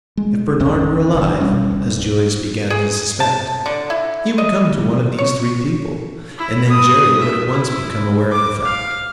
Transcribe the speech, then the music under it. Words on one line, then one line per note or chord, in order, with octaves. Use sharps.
If Bernard were alive--as Julius began to suspect--he would come to one of these three people, and then Jerry would at once become aware of the fact.
G#3
A1 F2 C4 C#4
F#1 D3
D#1 B2 G3 C#4
D1
G#4
A5
D3
E4
D#5
C#5
E4
D#6
E5
E4
D6
F5